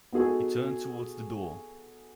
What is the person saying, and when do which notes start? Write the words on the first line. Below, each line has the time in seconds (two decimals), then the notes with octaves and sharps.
He turned towards the door.
0.13 B3 D#4 F#4 G#4 A4